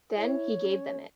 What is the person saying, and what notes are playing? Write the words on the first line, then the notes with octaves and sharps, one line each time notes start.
Then he gave them it.
E4 C#5
C#4